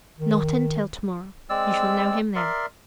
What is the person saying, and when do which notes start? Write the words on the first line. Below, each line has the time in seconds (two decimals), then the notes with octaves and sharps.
"Not until to-morrow--you shall know him then."
0.19 D#3
1.50 G#3 C4 D5 E6
2.36 A#4 D5 E5 C6